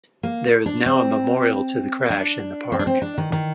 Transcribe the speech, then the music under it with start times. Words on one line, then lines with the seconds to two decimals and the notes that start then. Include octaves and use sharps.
There is now a memorial to the crash in the park.
0.23 A#3
0.66 D4
0.86 C4
2.10 D4
2.72 C4
2.79 D4
2.87 C4
3.02 D4
3.18 D#3
3.33 D#3